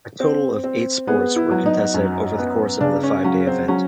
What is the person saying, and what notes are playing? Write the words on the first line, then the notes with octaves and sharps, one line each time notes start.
A total of eight sports were contested over the course of the five-day event.
C4
C4
B3 G#4
E4
F#3
D#4
F#2
B3
C#3 D4
C#4
F#3 C#4
C4
F#3 C#4